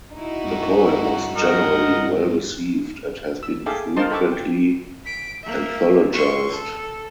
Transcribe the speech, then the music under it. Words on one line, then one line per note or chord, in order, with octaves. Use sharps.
The poem was generally well received and has been frequently anthologized.
D#4 E4 F#4
G2
A#4 D#5 F#5
E6
G#4 A4 E5 F5 G5 D6
F4 A#4 C5 D#5 A5 C6
A4 G5 B5 C#6 D6 E6
G5
B6 D7
A#3 E5
C6 C#6
A4